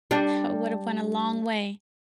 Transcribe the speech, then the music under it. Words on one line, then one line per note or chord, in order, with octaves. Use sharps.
That would've went a long way.
G3 D4